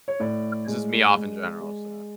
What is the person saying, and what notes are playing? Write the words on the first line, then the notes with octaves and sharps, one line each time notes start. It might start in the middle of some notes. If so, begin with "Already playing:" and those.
pisses me off in general, so
C#5
A2 D5
G#3
G#3
G#3